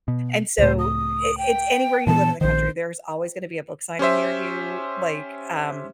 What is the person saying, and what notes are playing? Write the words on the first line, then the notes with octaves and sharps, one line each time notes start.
and so, i it's anywhere you live in the country, there's always gonna be a book signing near you, like, um
B2
C#2 A2 C5
D#6
G5
A#2 E3 B3 A5
A#1 D#3 C5
C#4 G4 C5 E5